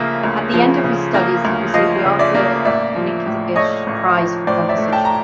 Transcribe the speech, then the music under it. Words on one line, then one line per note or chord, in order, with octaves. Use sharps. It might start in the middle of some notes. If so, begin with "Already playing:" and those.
At the end of his studies he received the Arthur Nikisch Prize for composition.
Already playing: D2 C#3 F3 A#3 E5
D2
F3
C#3
A#3
D2
F3 D#5 F5
C#3
D5 E5
A#3
A1 D5 E5
F3
A2
A3 C#5 D#5
A1
F3
A2 C5 D5
D5 E5
A3
G5 A5
A#5